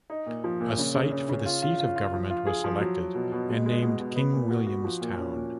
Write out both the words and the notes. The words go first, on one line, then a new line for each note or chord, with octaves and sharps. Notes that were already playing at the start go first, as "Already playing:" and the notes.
A site for the seat of government was selected and named King William's Town.
D#4
A#2
F3
A#2
C#3
C#3
C#3
C#3
F4
F4
F4
F4
F3
F4
G#4
F3
F#3
F#3
B2
B2
G#3
G#3
B2
B2
B3
A#2
F#4
F#4
F3
A#2
C#4
A#2